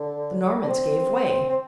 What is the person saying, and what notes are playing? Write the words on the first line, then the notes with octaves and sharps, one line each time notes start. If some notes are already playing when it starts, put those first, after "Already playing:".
The Normans gave way.
Already playing: D3
D4
C4
C4